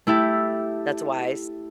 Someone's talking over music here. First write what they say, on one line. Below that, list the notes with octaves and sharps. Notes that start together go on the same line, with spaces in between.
That's wise.
A3 E4 G4 A4